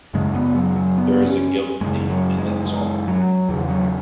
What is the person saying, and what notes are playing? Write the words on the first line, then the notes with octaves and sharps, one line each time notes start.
There is a guilt theme in that song.
F#2 C#3 G#3
B3
F#3
F#3
B3
C#4
F#2 C#3 G#3
F#3
G#3
G#3
F#3
E2 C#3 E3
F#3